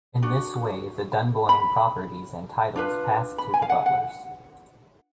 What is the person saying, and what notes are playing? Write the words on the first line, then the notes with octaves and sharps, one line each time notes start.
In this way, the Dunboyne properties and titles passed to the Butlers.
D4 F#4
B5
D4 F4 B4
B5
G#5
F5
F#5
F#5